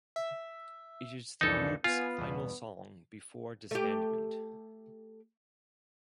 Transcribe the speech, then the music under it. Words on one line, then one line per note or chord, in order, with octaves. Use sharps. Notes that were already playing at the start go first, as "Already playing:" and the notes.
It is the group’s final song before disbandment.
E5
C2 F2 A#2 E3 D4 D#4 A4
B3 F4 G#5
E2 G2 B2
A3 G4